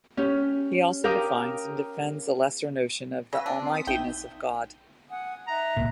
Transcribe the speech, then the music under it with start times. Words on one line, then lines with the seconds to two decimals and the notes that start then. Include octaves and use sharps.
He also defines and defends a lesser notion of the "almightiness" of God.
0.17 C#4 G4
1.04 G4 A#4 F5 G5 D6 D#6
3.33 C#3 B4 E6 A#6
3.46 D4
3.63 C4
3.75 D#6 B6
3.87 A#1 D#4 E5 G5
5.11 F#5 G#5 D#6
5.48 D#4 E5 A#5 F#6
5.77 E1 C2 A#2